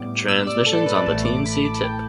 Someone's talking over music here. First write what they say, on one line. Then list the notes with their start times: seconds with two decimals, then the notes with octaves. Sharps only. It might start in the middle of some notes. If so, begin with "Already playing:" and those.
Transmissions on the Teen-C Tip!
Already playing: A2 G3 B3 D6
0.28 E6
0.47 D5
0.66 A4
0.77 A4
0.86 B4
0.96 D5
1.06 A1 A2 A3 A5
1.25 D6
1.46 B5
1.55 A5
1.65 D6
1.75 A5
1.84 G5